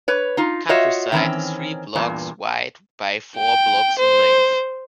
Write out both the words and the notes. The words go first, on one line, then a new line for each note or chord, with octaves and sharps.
Countryside is three blocks wide by four blocks in length.
B4 C#5
D#4 F4
F4 F#4 C#5 D#5 E5
D#3 E3 C4 C#4
E2 G2 A#2
G5
C5